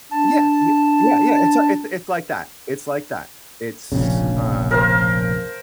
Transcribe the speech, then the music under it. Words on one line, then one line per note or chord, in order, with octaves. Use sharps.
Yeah yeah yeah yeah it's it's it's like that it's like that. It's, um
D4 A5
F1 A#1 C#3
A#4 C5 F5